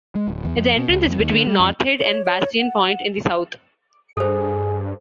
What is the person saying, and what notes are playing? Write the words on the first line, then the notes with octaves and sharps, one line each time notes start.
Its entrance is between North Head and Bastion Point in the south.
G#3
D1
E2
F2
B2
C#2
F2
D#2
D3
G3
F2
C#5
C#5
F#5
G2 G#4 A4 C5